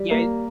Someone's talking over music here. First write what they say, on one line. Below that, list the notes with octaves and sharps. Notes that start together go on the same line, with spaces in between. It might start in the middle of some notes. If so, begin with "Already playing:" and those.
Yeah, i
Already playing: G3
A#3